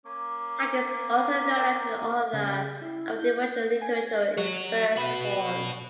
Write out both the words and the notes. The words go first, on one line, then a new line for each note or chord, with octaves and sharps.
Hagen is also known as an author of devotional literature in verse form.
A#3 C#4 D6
C#3
E4
G6
G#5
F#4 C#5
F#4 B4